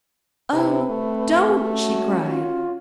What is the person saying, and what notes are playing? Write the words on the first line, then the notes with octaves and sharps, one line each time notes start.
"Oh, don't!" she cried.
C3 B4
A3 C4
C#4 F#4
F4